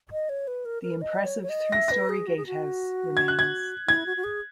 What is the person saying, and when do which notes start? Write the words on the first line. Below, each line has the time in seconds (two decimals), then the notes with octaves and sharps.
The impressive three storey gatehouse remains.
0.12 D#5
0.29 C#5
0.47 B4
0.65 A#4
0.83 A#4
1.01 D#5
1.25 C#5
1.43 C#5
1.49 D#5
1.72 E5 A#6
1.88 B4 A#6
2.09 G#4
2.27 F#4
2.37 G#4
2.46 F#4
3.17 G#6
3.28 F#6
3.39 G#6
3.88 E4 G#6
4.06 F#4
4.17 F#4
4.24 G#4